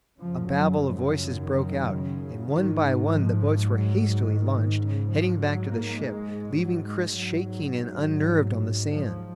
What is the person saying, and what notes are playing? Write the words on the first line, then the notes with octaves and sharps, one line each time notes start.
A babble of voices broke out, and one by one the boats were hastily launched, heading back to the ship, leaving Chris shaking and unnerved on the sand.
F#2 C#3 F3
F#3
F3
D#3
C#3
G#2 D#3
D#3
F3
F#3
D#3
G#2 C#3
F3
F#3
A#3
G#3
F#3
G#3
G#2 F#3
F3